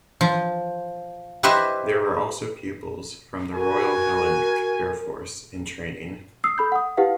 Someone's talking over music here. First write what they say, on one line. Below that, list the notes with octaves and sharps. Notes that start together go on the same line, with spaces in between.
There were also pupils from the Royal Hellenic Air Force in training.
F3
E4 G4 B4 C5 D#5 E5
F#4 A#4 G#5
D#6 E6 C7
A4 B5 G6
F#5 D#6
E4 G4 B4 F5 F#5